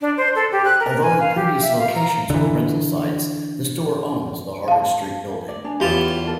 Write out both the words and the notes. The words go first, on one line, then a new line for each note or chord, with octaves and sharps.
Although the previous locations were rental sites, the store owns the Harbord Street building.
D4
C5
A4
G4
F#6
A#4
G#5
F5
G4
E5
F5
A#5
D3 E3
F5 A5
D5
D4 G#5
E2 F4 G4 B4 C#5 A5
A4 A#4 D5